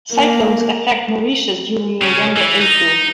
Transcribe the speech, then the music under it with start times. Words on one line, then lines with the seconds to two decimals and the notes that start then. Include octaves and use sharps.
Cyclones affect Mauritius during November-April.
0.13 A#3
2.01 C#3
2.36 E3
2.61 D#4